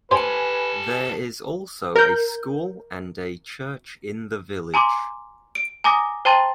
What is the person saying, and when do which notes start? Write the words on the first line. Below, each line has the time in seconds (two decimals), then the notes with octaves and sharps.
There is also a school and a church in the village.
0.11 G4 A4 B4 C5 G#5
1.96 A#4 G6
4.74 G#5 A#5 C6 D6
5.55 D7
5.84 G#5 A#5 D6 D#6 A#6
6.25 C5 G5 A5 A#5 C6 A6